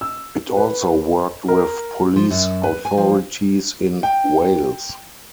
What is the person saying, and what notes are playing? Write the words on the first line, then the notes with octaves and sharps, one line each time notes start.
It also worked with police authorities in Wales.
E6
B4
A#4
F3
F#2
B4
G#5
F3
G5